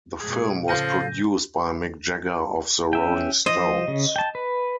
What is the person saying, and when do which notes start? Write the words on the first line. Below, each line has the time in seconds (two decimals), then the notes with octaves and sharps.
The film was produced by Mick Jagger of the Rolling Stones.
0.20 G#2 B2 G#4
0.68 A2 C#3 F3 A4 F5 G6 A#6 D#7
2.93 C#4 E5 G5
3.46 F3 C5 D#5
3.88 C#3
4.16 G5 A5
4.35 B4